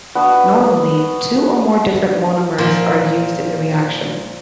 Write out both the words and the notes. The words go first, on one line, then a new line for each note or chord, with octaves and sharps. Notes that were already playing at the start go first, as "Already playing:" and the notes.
Normally, two or more different monomers are used in the reaction.
B3 D4 F#4
A#2 F3